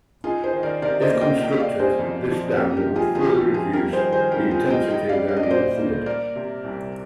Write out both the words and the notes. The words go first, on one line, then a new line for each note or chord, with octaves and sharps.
If constructed this dam would further reduce the intensity of the annual flood.
D#4 F4 G#4
G#4 C5
D#3
A#4 D5
C3 A#4 D5
C5 D#5
A#3
D#5 G5
A#3 D#5 G5
D5 F5
C3
G#4 C5
F2
F3
A#3 G4 A#4
G4 A#4
C3
F4 G#4
F2 F4 G#4
G4
F3
F4 G#4
G2 G4 A#4
G#4 C5
D#3
G#4 C5
G2 G4 A#4
F4 G#4
G3
D#5 G5
D#4 D#5 G5
D5 F5
G3
F5
D#5
D5
A#2 C5 D#5
A#3
A#3 A#4 D5
C3
C2